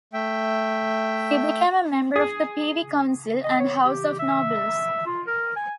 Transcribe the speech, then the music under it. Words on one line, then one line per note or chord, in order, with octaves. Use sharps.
He became a member of the Privy Council and House of Nobles.
A3 E5 G5
G#4
D#5
C#5
G4
E5
F4
A#4
G#5